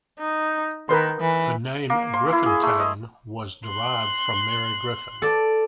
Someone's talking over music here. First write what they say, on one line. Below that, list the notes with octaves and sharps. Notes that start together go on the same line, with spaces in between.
The name "Griffintown" was derived from Mary Griffin.
D#4
D#3 A#4 B4 C6
E3
A#3
C6
E4
G#4
A3
D#5
C6 F#6
A4 D5